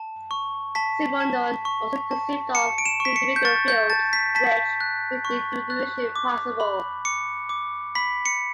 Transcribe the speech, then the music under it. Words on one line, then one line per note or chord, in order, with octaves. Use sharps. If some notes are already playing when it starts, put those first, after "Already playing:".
Simondon also conceived of "pre-individual fields" which make individuation possible.
Already playing: A5
C#6
A5 B6
A5
C#6
A5
A5 C#7
D7
E7
C#6
B6
C#7
G6
C#6 A6
G6
A5 A6
B6
A5 B6
F#6
C#6
F#6
D6
B5
D6 C#7
D6
B5 B6
C#7